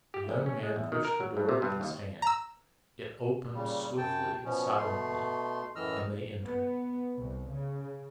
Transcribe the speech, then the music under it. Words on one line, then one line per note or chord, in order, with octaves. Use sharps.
The young man pushed the door with his hand. It opened swiftly and silently, and they entered.
G4
A#1
C#4
G#3
E2
D#3
A#4
F#3
G2
C3
G2
D#2
A#5 E6
A#2 C#3 G3
F#2 G5 A5
B2 F3 C#4
B2 A3 C6
F#2 A2 E3 D#5 E6 F6
B3
C2
C#3